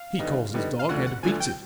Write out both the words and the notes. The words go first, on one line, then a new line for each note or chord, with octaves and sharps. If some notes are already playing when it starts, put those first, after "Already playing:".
He calls his dog and beats it.
Already playing: F5
D3 G3 B3 D#4
D3 G3 B3 D#4
F5
D2 D3 F3 F#5
F#5
D2 D3 F3 G#5
G5